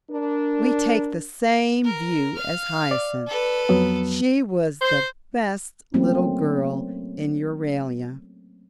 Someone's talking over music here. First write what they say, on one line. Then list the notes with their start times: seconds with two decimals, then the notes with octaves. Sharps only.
We take the same view as Hyacinth: she was the best little girl in Euralia.
0.11 D4 A#4
1.84 A#4
2.36 F5 F6
2.91 D5
3.27 A4 B4
3.69 F2 F#3 B3
4.82 C5
5.94 F#3 A3 A#3 C4 C#4